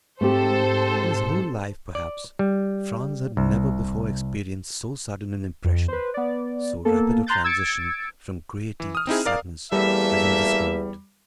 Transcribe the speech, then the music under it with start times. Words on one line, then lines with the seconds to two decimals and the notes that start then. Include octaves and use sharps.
In his whole life, perhaps, Franz had never before experienced so sudden an impression, so rapid a transition from gayety to sadness, as in this moment.
0.21 G#2 A3 C4 G4 A4 C5
1.95 D5
2.39 G3
3.37 C2
5.64 F2
5.88 B4 C5
6.14 B3 D5
6.85 A#3 B3 A4
7.27 A#5 C6 F#6 G6 A6
7.44 E6 G#6 A6 C#7 D7
8.80 E3
8.95 D#6 F6
9.07 C4 D#4 E4 G#4
9.26 A#4 D5 F5 F6
9.72 E2 G3 A3 A#3 E5